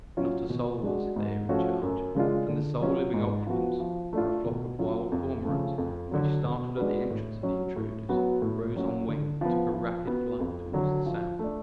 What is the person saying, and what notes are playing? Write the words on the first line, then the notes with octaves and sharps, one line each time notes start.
Not a soul was there in charge, and the sole living occupants were a flock of wild cormorants which, startled at the entrance of the intruders, rose on wing, and took a rapid flight towards the south.
F#3 C#4 F4
B2
G#3 D4 F#4
G#2
F3 A3 C#4 F#4
F#2
C#3 G#3 D4 F4
D3
F#3 C#4 F4
G#2
F3 B3 F#4
F3
A3 D4 F4
B2
F#3 C#4 F4
F2
C#3 F3 A3
F2
D3 F#3
B2
G#3 D4 F#4 B4
A2
F#3 C#4
A2
F#3 B3 F#4
A2
F#3 C#4 F#4
D3
F3 B3
F3
B3 F#4
F2
D3 F#3
F3
A3 D4